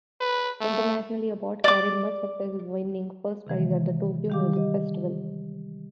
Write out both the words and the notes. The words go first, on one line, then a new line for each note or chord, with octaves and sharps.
Internationally, Abbott carried much success, winning first prize at the Tokyo Music Festival.
B4
A3
D5 D6
C3 D#3 E3 G#3
D#3 G3 G4 F5 D6
G4 D#5